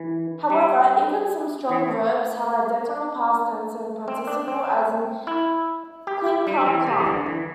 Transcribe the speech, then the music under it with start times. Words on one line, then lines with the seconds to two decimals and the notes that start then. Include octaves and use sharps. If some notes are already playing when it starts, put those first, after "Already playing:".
However, even some strong verbs have identical past tense and participle, as in "cling-clung-clung".
Already playing: E3
0.50 G3
1.69 E3
1.89 A3
2.89 D4
4.08 C4
4.27 D4
4.48 C4
5.27 E4
6.07 G4
6.26 G4
6.47 G3
6.61 G3
6.66 E3
6.87 C3
6.99 E3
7.07 D3
7.26 E3